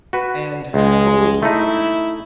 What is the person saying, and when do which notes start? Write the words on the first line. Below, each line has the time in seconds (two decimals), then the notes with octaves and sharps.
And--but we'll talk again.
0.13 F#4 B4
0.74 C#2 G#3
1.43 A3 D#4 E4